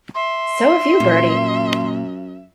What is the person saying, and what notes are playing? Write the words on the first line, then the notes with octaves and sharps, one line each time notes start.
So have you, Bertie.
E5 C6
F#2 A#2